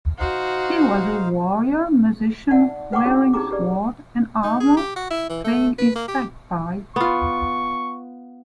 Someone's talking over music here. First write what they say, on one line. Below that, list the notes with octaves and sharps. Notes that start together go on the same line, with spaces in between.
He was a warrior-musician wearing sword and armour, playing his bagpipe.
D#4 F#4 C5 F5
D#4 D5 E5 F#5 A5
B4 F#5 G5 C#6 D6
C#4 D#4 E4 F#4 G#4 C#5
D#4 G4 G#4 A#5 D6
G4 B4 D5
D#4
G#4
G4
F#4
E4
E3
A3
B4
A#3
G4
B3 F4 C#6